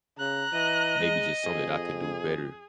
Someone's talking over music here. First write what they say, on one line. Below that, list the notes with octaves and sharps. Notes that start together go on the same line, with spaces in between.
maybe just something that I could do better.
C#3 A#5 F#6
E3 D#5
G#3
F2 G#4